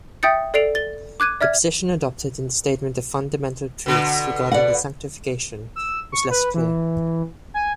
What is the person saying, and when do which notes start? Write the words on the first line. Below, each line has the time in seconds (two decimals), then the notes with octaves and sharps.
The position adopted in the Statement of Fundamental Truths regarding sanctification was less clear.
0.23 E5 G5 D#6 G6 A6 C#7
0.54 A4 D5 C7 D7 F7
0.75 A6 G7
1.20 D6 F#6 G#6 D#7
1.41 D5 E5 F6 G#6
3.86 B2 D3
4.52 D5 F#5
5.76 E6
6.12 C#6
6.30 B4
6.54 E3
7.54 G#5